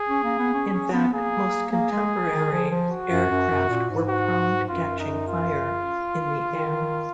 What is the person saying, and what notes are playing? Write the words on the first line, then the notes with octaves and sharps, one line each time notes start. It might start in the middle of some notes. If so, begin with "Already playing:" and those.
In fact, most contemporary aircraft were prone to catching fire in the air.
Already playing: G#4
C#4
A#3
B3
C#4
C#4
B3
A#3 G#4
A#3 G#4
G#3
D#3
F3
F3
F#4
F#2
F#2
F#2
A#2
G#2
F#4
F#2 F4
D#4
F4
D#3